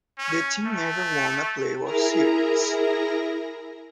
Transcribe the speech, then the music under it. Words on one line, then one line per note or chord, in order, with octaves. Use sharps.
The team never won a playoff series.
C#4
A3
E4 G#4 A#4 A#5